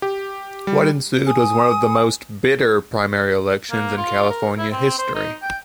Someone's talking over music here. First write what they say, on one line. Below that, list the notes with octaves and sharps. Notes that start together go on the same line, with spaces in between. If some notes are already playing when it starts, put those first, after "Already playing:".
What ensued was one of the most bitter primary elections in California history.
G4
G3
G#5 D#6
A#3
F4
A#4
E4
C4
C5
D#4
G5